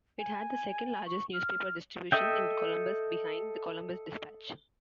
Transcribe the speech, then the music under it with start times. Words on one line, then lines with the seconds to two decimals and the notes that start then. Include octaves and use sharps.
It had the second-largest newspaper distribution in Columbus behind "The Columbus Dispatch".
0.19 G#5
1.06 C#6
1.33 F6
2.12 A4 D#5 E5 G5